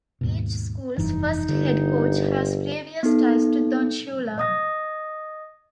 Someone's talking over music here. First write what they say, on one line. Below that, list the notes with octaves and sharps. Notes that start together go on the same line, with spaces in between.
Each school's first head coach has previous ties to Don Shula.
D#2 G#2 B2
F1 G2 E3 D#4
G1 D3
B3 D#4 A4
D#5 D#6 A#6